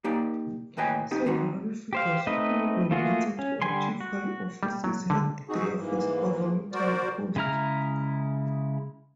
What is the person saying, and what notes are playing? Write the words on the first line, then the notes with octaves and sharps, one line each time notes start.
Several figures who were later to achieve high offices held their first governmental posts.
A#3 D#4 G4 D5
D#2 A2 B4 D#5 G5 G#5
B3 C4 D#4 G4
D#3 C4 D#4 F#4
G4 C5 F5
A3 C4 D#4 B4 D#5
A3 A#3 F4 F#4 G#4
C#4
D3 G3 G#5 C6
F#4
G3
F#3
D3
C4 D#4 F#4 G#4
G#2 E3 A#3
F#4 A#4 C5 D5
C#3 G#3 E4 A#5 F6